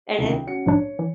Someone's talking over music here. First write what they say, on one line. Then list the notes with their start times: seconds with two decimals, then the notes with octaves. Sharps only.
and it
0.18 C#2 C3 D#3
0.31 G5
0.47 C#4 F#4 C#7
0.66 A#1 G#2 D4 C#5
0.99 E3